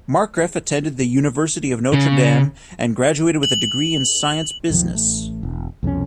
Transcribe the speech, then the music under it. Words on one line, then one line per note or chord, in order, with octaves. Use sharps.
Markgraf attended the University of Notre Dame and graduated with a degree in Science-Business.
C#3
F#7
B1 F2 D#3 F3
A1 A3
E1
C2 F2 B2 C#4